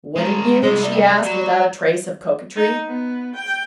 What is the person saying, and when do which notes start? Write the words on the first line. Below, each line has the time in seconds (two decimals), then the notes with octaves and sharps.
"Wouldn't you?" she asked, without a trace of coquetry.
0.16 G#3 A#4
0.62 C2 C3 G#3
0.83 G3
1.24 F#3
2.56 D#4
2.87 B3
3.36 G5